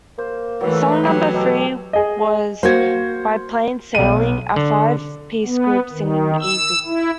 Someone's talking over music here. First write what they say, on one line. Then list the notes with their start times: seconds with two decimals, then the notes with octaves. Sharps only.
Song number three was by Plain Sailing, a five-piece group singing "Easy".
0.18 A#3 C5
0.61 E3 F#3 A3 B4 E5
1.03 F#3 G4
1.34 B2 G4 A4 A#4
1.93 G#4 D#5
2.63 A#3 F#4 C5 G#6
3.95 B1 D#7
4.56 D3
5.45 B3
5.92 D#3
6.40 E6
6.86 E4